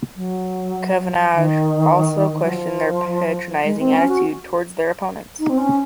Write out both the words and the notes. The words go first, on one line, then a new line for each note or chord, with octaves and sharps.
Cavanagh also questioned their "patronising" attitude towards their opponents.
F#3
D#3
F#3
F3
G#3
C4
C#4
F#4
D#4
C4
C#4